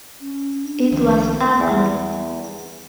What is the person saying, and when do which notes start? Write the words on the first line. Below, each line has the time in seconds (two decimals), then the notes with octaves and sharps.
It was ugly.
0.21 C#4
0.63 D4
0.92 C2 D#3 F3
1.60 E2